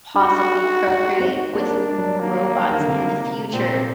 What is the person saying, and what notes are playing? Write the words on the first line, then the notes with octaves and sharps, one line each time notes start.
possibly procreate with r robots in the future.
D4
D#4 F#4
D#4
C4
A#3 D4
G3
D4
F#3
D#3 A#3
D#3
D3
C3
A#2 C4